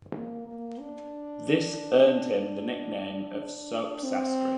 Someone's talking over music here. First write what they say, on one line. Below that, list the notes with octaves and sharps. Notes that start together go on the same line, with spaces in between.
This earned him the nickname of Soap Sastry.
A#3
A#3
D4
D4
C4